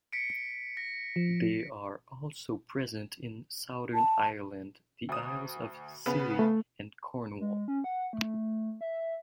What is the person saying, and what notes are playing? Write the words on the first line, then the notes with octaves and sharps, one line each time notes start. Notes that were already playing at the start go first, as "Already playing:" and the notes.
They are also present in southern Ireland, the Isles of Scilly and Cornwall.
B6 C#7 D7
A#6
F3
A5
D2 D#6
C#3 B3 B4
A3
G#3
C#4
F#5
A3
E5